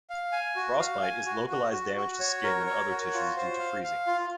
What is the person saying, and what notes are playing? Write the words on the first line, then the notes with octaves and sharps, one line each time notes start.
Frostbite is localized damage to skin and other tissues due to freezing.
F5
G#5
F#4
F5
G#5
F#4
F#4
F#4
F#4
C#5
A#4
C#5
F#4
F4
C5
F5
F5
F4